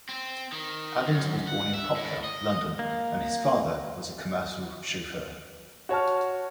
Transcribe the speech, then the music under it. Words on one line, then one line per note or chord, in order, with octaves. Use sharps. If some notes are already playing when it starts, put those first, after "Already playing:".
Adams was born in Poplar, London, and his father was a commercial chauffeur.
C4
D#3
F#2
F#5
E5
A2
D#5
A#3
F#4 C#5 A5 F6